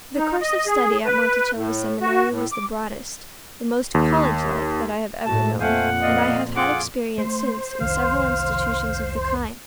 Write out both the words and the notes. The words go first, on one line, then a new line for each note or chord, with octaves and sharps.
The course of study at Monticello Seminary was the broadest, the most college-like, that I have ever known; and I have had experience since in several institutions of the kind.
D#4
D#5
G#4
B4
A2
F#4
A2
D6
D#2
A2 A3 F#4 A5
F2 A#2 A3 C5 F5 F#5 G#5
D5 D#5 F5
F4 G#4 F#5 D6
A3 C5
F1 C2 D#3 F5